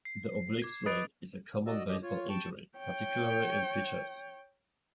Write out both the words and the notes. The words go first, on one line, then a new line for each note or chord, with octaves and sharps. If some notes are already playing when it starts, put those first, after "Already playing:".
The "oblique strain" is a common baseball injury, particularly in pitchers.
C7
D6 G#6
B4 D#5 D#6 A6 D7
F#4 D5 D#5 E6
F3 G4 D#5
F4 C#5
G5 A5 C#6
C#5 G5